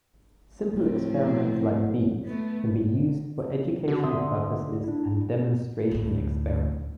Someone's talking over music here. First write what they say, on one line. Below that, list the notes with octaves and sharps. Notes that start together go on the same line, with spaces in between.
Simple experiments like these can be used for educational purposes and demonstration experiments.
A2 F3 C4
A3 B3
D3 F#4
E5 C6 D#6
D4 E4
D2 A2